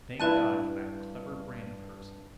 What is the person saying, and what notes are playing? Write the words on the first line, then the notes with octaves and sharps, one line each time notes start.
Thank God for that clever brain of hers!
G2 D4 E4 B4 A5 F#6 D#7